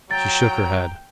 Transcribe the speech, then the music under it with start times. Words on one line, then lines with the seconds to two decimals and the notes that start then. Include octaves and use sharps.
She shook her head.
0.11 F#3 G5 A#5 A6